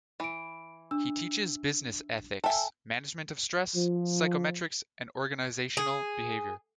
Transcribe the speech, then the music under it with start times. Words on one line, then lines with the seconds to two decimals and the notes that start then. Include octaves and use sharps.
He teaches Business Ethics, Management of stress, Psychometrics and Organisational behaviour.
0.20 E3 B5 D7
0.91 D4 E6
2.44 A4 E5 G5 G#5
3.75 F3
5.77 G#4